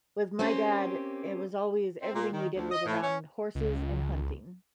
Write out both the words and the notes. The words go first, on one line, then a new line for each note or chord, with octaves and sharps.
With my dad, it was always everything we did was around horses and hunting,
A#3 C4 C#4 G4
C4
A#2
D#3
D2
D#5
A2
C#4
C#2